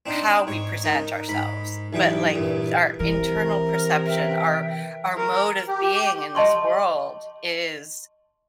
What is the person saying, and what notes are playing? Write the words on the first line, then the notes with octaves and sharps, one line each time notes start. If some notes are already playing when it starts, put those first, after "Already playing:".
how we present ourselves, but, like, our internal perception, our our mode of being in this world is
C4 D4 D#4 C5
G#2 C#5
D#4 A#4 D#6
G#2 B5
B1 E3 G3 G5 D#6
E2 G2 A#2
C3 E3 A#4
B4 E5 G5
A#4
G4
D#5 A5 C6 C#6